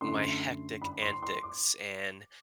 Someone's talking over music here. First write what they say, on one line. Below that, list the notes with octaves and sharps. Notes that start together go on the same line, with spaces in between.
my hectic antics and
F#2 D3 A3 E4 C6
B5
C6
C6
D6